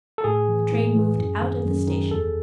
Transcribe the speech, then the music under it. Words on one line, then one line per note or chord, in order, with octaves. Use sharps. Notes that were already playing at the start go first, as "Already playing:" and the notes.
The train moved out of the station.
A4
A2 G#4
E3
A2
E3
F#2
D#3
F#2
D#3
E2 A4